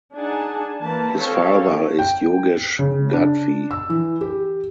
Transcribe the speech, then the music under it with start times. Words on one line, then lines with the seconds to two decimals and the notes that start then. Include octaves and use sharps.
His father is Yogesh Gadhvi.
0.15 D4 D#4 G#4 F#5 G#5 A5
0.82 E3 A#3 B4 A5
1.16 C4 C#4 G4 A4 C#5 F5
1.99 G5
2.79 C#3
3.13 D4
3.71 E6
3.90 E3
4.21 G4